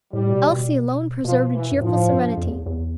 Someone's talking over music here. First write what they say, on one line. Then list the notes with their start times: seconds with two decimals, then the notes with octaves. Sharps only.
Elsie alone preserved a cheerful serenity.
0.13 A2 G3
0.31 B2
0.50 B2
1.25 B2 F3
1.54 E3
1.72 G2
1.81 A2 F3
1.95 A2
2.09 G2
2.37 F2
2.47 E2
2.66 E2